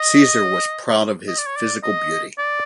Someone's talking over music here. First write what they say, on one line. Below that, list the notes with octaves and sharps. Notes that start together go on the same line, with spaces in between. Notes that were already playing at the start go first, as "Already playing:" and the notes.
Caesar was proud of his physical beauty.
Already playing: D#5
D#5
D5
C#5
D5
D#5
D5